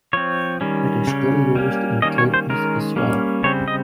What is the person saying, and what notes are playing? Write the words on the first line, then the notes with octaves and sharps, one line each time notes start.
It is still used in Caithness as well.
F3 C4 C#5
D#3 G3 C#4
C#3 G3 C#4
G3 A#3 C#4
D#3 G3 A#3 C#4 D#5
C#5
C5
D#3 G#3 C#4 A#4
G3 A#3 C#4
C#3 G3 C4 C#5
D#5